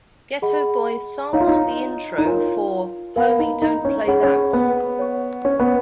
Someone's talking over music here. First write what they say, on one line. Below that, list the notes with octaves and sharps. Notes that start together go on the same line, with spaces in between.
Geto Boys sampled the intro for "Homie Don't Play That".
G#4 D#5 F#5 B5
D#4 C#5 F5 G#5
F4
D#4
D#4
F4 A#4 C#5 G#5
B3 A#4 F5 G#5 B5
D#4
D#4
C#4
C#4 G#4 C#5 F#5 B5
C#4
B3
C#5 F#5 C#6
C#4
B3